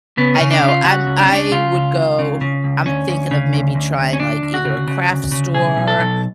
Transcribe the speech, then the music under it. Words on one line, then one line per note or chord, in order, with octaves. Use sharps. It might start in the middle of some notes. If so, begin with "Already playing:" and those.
I know, I'm I would go I'm thinking of maybe trying, like, either a craft store
C#3 B3
C#4
C#3
D4
C#3
F4
C#3 F#4
C#2
D4
C#4
C#3 D4
C#3 F4
C#2
C#2
C#3
C#3
C#2
D2 C#4
D2
C#3
D2
D2
D2
C#4
D2 D4
D2
F#4
C#3
C#3
D2
C#3
B1 G#4
B1
A4
B1